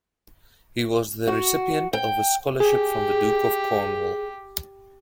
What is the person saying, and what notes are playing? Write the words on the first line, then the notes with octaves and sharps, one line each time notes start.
He was the recipient of a scholarship from the Duke of Cornwall.
F#4
G5
G4 G#4